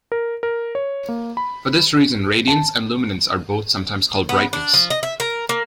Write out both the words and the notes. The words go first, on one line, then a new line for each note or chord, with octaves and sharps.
For this reason, radiance and luminance are both sometimes called "brightness".
A#4
A#4
C#5
A#3
B5
A5
B3
D4
F3
D#5
E5
A#4
A#3